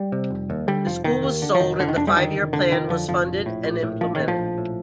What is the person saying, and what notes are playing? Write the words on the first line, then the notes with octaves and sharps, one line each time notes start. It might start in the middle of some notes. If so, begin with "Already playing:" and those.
The school was sold and the five-year plan was funded and implemented.
Already playing: G3
C3
F1
D#2
D3 G3
F1 F3
F1 D#3
D#2
D3
F3
F1 D#3
F1 D3
D#3
F2 D4
G3
D3 D#3
F1
F1 D3
F2 D#3
D3 F3
F1 F3
A#1
A2
A#1
A2
A#1 F3
A2 D#3
F3
A#1
A2